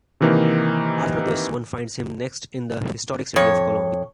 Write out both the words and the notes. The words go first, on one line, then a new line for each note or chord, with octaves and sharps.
After this, one finds him next in the historic city of Cologne.
C3 D#3 E3 A#3 D#4
F2 C#5